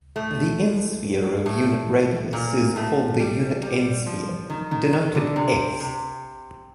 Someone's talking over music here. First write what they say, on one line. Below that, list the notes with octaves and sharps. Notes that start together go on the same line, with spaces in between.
The "n"-sphere of unit radius is called the unit "n"-sphere, denoted "S".
A2 A3
A2 A3
A#2 A#3
A2 A3
G3
G3
F3
D#3
D#3
D#3
D3
C3
C3